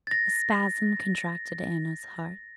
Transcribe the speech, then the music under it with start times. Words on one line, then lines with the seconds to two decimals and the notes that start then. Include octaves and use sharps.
A spasm contracted Anna's heart.
0.07 A6 A#6